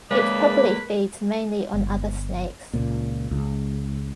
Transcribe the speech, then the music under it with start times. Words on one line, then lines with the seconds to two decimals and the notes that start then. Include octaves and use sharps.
It probably feeds mainly on other snakes.
0.11 C#3 G#3 A#3 B4 D5
1.74 G1
2.73 C#2 A#2
3.31 C#2